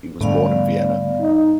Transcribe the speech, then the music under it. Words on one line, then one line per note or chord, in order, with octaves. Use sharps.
He was born in Vienna.
G#2 D3 G3 A3 B3 D5 F5
D#4